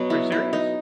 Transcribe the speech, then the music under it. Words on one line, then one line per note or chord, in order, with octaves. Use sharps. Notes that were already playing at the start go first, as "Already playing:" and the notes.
Are you serious?
Already playing: B2 F#3 B3
E4
E4
D#4